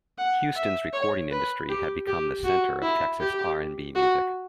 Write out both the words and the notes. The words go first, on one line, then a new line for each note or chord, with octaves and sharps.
Houston's recording industry had become the center of Texas R and B music.
F#5
E5
C#5
B4
G4
G4
F#4
E4
G4
F#4